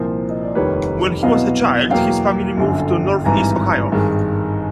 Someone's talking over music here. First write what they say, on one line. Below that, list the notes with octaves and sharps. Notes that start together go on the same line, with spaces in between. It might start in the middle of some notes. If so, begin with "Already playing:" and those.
When he was a child his family moved to northeast Ohio.
Already playing: C2 A#2 F3 A#4 C5
D#5
D5
F1 D#2 D#3 G3 A#3 B4 C#5
C2 B2 F#3 B3 D#5 F5
E2 B2 F#3 A#3 F5 G5
G1 F#2 D3
G#1 G2 E3 G#5 A#5
G#1 G2 D#3 G#3